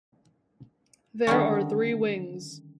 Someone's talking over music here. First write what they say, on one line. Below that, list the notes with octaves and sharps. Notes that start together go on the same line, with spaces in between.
There are three wings.
D3 D#3 G3 C#4